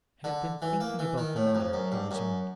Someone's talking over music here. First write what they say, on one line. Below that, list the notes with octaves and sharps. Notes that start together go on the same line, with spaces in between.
"I have been thinking about the matter," he resumed.
D3
E3
A#3
E3
D#3
A2
F2
F#2
G2
F#2